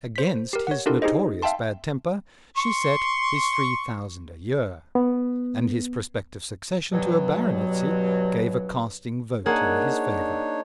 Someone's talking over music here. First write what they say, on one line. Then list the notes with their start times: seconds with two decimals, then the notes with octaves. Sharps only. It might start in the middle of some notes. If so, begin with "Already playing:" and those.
Against his notorious bad temper she set his three thousand a year, and his prospective succession to a baronetcy gave a casting vote in his favour.
0.16 C5 B6
0.53 G4 A#4
0.67 C#5 F#5
0.86 D4 E4 F4 G4 A4 A#4
1.02 D#4 G4 G#4 C5 D#5
1.42 E5 F5 G5 A5 C6
2.57 C6 C#6
4.95 B3
6.92 G2 B2 F#3
9.46 A#3 D4 D#4 G#4 C#5 F#5